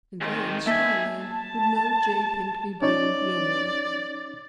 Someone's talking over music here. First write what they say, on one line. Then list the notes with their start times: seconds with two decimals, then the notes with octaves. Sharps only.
And then Skyland would know J. Pinkney Bloom no more.
0.21 D#3 G#3 C4
0.67 A#3 A4 E5 G#5
1.22 A5
2.82 C#4 D#4 C#5 D5